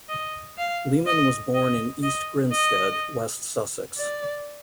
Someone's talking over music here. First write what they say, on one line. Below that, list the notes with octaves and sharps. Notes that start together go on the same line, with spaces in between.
Leman was born in East Grinstead, West Sussex.
D#5
F5
D#5
D#5
D#5
D#5
D5